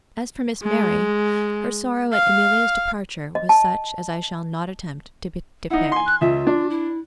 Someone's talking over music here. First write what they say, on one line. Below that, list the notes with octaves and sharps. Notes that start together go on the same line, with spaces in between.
As for Miss Mary, her sorrow at Amelia's departure was such as I shall not attempt to depict.
G#3
F5
D#5
A5
D#4 E4 F#5
G#5 C6
F#6
C#2 F4 E5
D4
E4